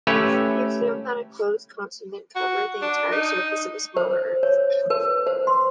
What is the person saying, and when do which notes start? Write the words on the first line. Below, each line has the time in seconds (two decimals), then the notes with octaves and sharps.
He assumed that a closed continent covered the entire surface of a smaller Earth.
0.07 A3 C#4 G4 B4 C#5 E5
2.36 F#4
2.82 D4
3.12 D#4
3.97 C5
4.43 C#5
4.90 B4
5.27 C5
5.47 C6